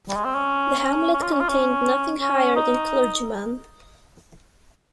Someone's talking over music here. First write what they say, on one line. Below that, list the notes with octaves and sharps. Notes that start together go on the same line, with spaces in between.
The hamlet contained nothing higher than clergyman.
G3
G#3
C4
C#4
C#4
C#4
F4
C#4
F4
C#4
C#4
D#4